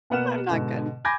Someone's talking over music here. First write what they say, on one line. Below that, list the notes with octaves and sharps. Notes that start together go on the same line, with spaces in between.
I'm not good.
B2 A#3 B3 F#5 F6 E7
G#2 B2 D3
G#5 B5 D6 G6 G#6 A#6